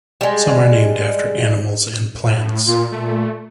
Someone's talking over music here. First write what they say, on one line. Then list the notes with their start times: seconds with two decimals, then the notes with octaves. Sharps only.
Some are named after animals and plants.
0.21 G3 G#3
2.26 A2
2.68 A#2 F4
2.92 A#2 A3